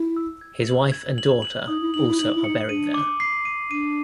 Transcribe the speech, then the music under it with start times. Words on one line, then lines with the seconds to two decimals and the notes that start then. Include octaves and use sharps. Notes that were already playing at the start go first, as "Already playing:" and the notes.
His wife and daughter also are buried there.
Already playing: E4
0.17 E6
0.41 G#6
0.67 F#7
0.92 G#6
1.18 F#7
1.42 F#7
1.68 D#4 D#6
1.81 E4
1.94 D#4 F#7
2.08 E4
2.19 D#4 F#7
2.34 E4
2.44 D#4 C#7
2.69 D4 D#7
2.94 D6
3.20 C7
3.45 D#7
3.71 D4 D#7